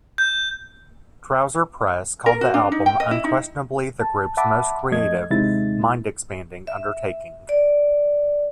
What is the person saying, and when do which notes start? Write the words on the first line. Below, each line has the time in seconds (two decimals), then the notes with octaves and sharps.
"Trouser Press" called the album "unquestionably the group's most creative, mind-expanding undertaking".
0.18 G6
2.26 A#4
2.41 F#4
2.54 D4
2.72 D#4
2.86 G5
3.00 D#5
3.11 E4
3.24 D#4
4.01 A5
4.37 E5 F#5 A5 B5 D6
4.92 F2 A3 D#5 G#6
5.30 D#2 C3 G#3 D#4 E4 A6
6.67 E5
7.49 D5